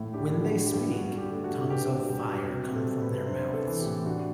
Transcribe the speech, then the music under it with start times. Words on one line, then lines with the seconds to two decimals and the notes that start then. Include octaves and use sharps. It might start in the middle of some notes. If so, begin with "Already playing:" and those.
When they speak, tongues of fire come from their mouths.
Already playing: A2
0.13 D4 G4
0.33 A3
0.40 F#4
0.52 D3
0.66 G4
0.72 G2
0.92 D3 F#4
1.11 D4
1.18 G4
1.31 A3
1.44 F#4
1.50 D3
1.70 B2 G4
1.90 D4
2.09 G3 G4
2.29 B2
2.49 C3 G4
2.68 C4
2.75 A4
2.88 G3
3.01 B4
3.08 C3
3.27 D4 C5
3.47 B3
3.53 A4
3.67 E3
3.80 G4
3.86 A2
4.05 D4 F#4